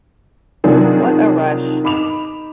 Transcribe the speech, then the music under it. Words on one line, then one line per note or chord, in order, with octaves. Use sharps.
What a rush.
C3 D#3 F3 F#3 D4 G#4
D#4 B5 D6 E7 F7